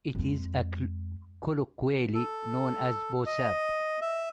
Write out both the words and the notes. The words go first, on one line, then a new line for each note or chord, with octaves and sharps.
It is colloquially known as BuSab.
F2 G#3
A4
D#5
E5